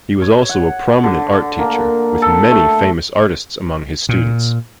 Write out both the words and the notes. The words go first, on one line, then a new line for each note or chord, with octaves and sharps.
He was also a prominent art teacher, with many famous artists among his students.
C#5
F#5
D3
A#3
A4
A3
A#2